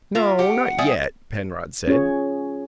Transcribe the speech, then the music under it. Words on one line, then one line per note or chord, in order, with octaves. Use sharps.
"No; not yet," Penrod said.
A#3 F4 E5 A#5
G4 F#5
G3 D5 E5 G#5 D#6
C#4 F4 G#4 C#5